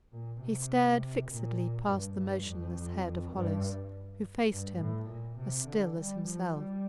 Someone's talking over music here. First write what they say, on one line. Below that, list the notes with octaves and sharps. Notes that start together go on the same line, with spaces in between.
He stared fixedly past the motionless head of Hollis, who faced him, as still as himself.
A#2
C3
A#2
G2
G2
F2
G2
G2
A2
A#2
C3
D3
G3
F3
G3